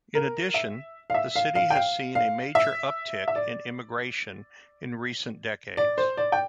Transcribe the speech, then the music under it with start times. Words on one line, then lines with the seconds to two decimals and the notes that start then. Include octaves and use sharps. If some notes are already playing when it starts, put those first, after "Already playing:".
In addition, the city has seen a major uptick in immigration in recent decades.
0.15 A#4
0.54 E5
1.10 F5
1.14 E5
1.36 F5
1.55 F5
1.70 G5
1.75 F5
2.15 F5
2.55 E5
3.28 E5
3.36 D5
5.77 D5
5.98 C5
6.17 D5
6.32 G5